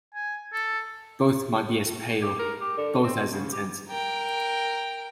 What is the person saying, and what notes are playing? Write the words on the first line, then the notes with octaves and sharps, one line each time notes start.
Both might be as pale, both as intent.
G#5
A4
G4
A#4
G4
D3
C4
C#3
G4
A#4 G5